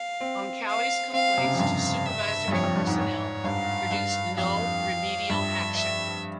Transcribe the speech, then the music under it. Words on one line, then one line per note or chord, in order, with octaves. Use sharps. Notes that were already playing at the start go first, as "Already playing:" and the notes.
Oncale's complaints to supervisory personnel produced no remedial action.
Already playing: F5
C4
F5
C4 F5
C3
C#3
F2
G2 F5
E5
G2
F2 C#5
F2
G2
G#2
C#5
G2 F5
G2
F2 F5
G2 E5
E5